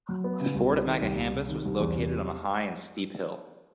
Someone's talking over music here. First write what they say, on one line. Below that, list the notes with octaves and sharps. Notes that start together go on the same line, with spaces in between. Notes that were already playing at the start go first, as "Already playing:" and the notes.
The fort at Makahambus was located on a high and steep hill.
F#3
B3
C#3
C2
C3
D#3
C2
C2
C3
D#3
C2
E2
C3